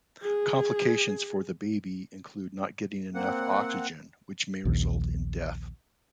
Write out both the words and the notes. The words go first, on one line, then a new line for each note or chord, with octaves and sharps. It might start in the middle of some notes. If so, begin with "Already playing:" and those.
Complications for the baby include not getting enough oxygen which may result in death.
G#4
A#3 C4 F#5
A#1 D#2